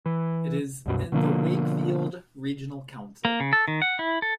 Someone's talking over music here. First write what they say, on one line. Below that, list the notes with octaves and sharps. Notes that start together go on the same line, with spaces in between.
It is in the Wakefield Regional Council.
E3
C2 F#2 B2
B2 D3 F3 A#3
A#3
C#3
A4
D#3
F#5
E4
A4